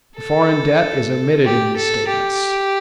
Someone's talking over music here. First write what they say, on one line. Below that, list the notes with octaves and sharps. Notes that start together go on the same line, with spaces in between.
The foreign debt is omitted in these statements.
A4
G4
A4
G4